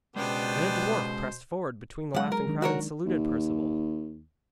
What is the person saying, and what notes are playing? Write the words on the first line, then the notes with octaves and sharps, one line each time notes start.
Then a dwarf pressed forward between the laughing crowd and saluted Perceval.
B2 G#3 B3 C#4 D4 G4 G#4 C5
C#2 F#3 G#3 F#5
A#4
D#3 D4
F#4 A#4 C#5
D#2